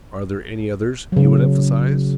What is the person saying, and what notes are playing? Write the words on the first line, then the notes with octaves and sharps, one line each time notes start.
Are there any others you would emphasize?
C#3 F#3